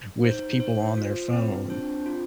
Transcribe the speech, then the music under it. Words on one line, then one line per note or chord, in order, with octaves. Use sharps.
with people on their phone,
D#4 C5
C5
F4
C4
D4 C5
F4